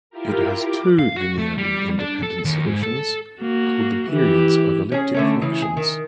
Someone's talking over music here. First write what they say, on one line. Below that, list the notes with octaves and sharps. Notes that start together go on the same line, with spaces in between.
It has two linearly independent solutions, called the periods of elliptic functions.
E4 F4 G4 A#4
D6
F5
F#4
A3
G3
D4
A4
D#2
G#2
A4
A#3 F#4
E3 E4 G4
C#4 G#4
D3 A3 C#4
C#3 E3
G#4
D#3